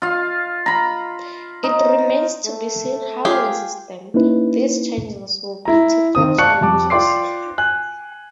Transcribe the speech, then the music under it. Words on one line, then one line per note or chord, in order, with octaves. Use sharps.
It remains to be seen how resistant these changes will be to court challenges.
F4 F5
A#5 B5
D#4
A3
F4 G4 G#4 F5
A#3 C#4 D#4 E4 B4
E4 A#5
D#3 C4 D#6
D5 F5 A5 C#6 F#6 C#7
F2 G3 A5 D6
F4 D5 G5 C6 D6 C7
G#5 F#6